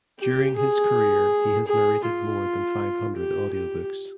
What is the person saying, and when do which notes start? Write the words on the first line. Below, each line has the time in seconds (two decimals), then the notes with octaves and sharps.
During his career he has narrated more than five hundred audiobooks.
0.20 G4
0.57 G#4
1.67 G#4
2.05 F4
3.16 G4
3.53 G4